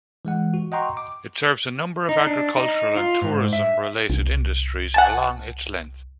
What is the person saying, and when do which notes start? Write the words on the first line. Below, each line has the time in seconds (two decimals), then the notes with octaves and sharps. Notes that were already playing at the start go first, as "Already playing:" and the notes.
It serves a number of agricultural and tourism-related industries along its length.
0.25 E3 G#3 F#5
0.54 F#4
0.72 D#5 F#5 G5 A#5 C6 C#6
0.97 D6
2.09 D#4
2.27 D4
2.57 D#4
2.97 F4
3.22 G#2
3.53 E5
4.10 C2
4.94 F#5 G#5 A5